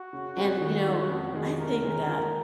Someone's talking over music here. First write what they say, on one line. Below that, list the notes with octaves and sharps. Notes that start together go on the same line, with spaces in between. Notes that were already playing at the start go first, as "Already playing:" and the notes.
and, you know, I think that,
Already playing: F#4
C#3
G#3 C4
D#3
G#3 C#4 F4
F2
D#3 G#3 D#4
C3 A#4
D#3 G#3 C#4
F3